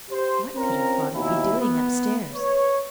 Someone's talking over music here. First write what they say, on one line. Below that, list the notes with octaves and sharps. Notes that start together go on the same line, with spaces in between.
What could her father be doing up-stairs?
G4 C5
C4 C#4 F4 A#4 A#5
D#2 B2 E4
B3
B4 C#5